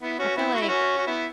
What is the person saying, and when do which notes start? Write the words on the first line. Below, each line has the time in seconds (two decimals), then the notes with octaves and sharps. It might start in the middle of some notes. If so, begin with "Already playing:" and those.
I feel, like, eh
0.01 B3 E4
0.19 C#4 F#4
0.36 B3 E4
0.55 F#4
0.62 E4
0.68 C#4 F#4
0.98 F#4
1.07 B3 E4